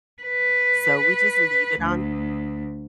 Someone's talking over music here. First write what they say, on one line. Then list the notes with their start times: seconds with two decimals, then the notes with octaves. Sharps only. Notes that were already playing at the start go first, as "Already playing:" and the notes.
So, we just leave it on
0.22 B4
1.82 D2